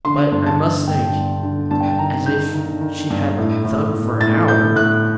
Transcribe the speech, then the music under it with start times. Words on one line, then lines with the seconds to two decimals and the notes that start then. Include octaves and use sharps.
"But I must think--" As if she hadn't thunk for an hour!
0.05 D3 C6
0.32 G2
0.46 A5
0.60 D3
0.87 G2 G5
1.15 G2
1.43 D3
1.71 G2 A5
1.80 G5
1.90 A5
1.99 D#3 A#5
2.26 D#3 G6
2.54 D#3
2.81 D#3
3.10 G2
3.38 A2
3.65 A2
3.92 A2
4.20 A2 A6
4.48 A2 G6
4.76 A2 F#6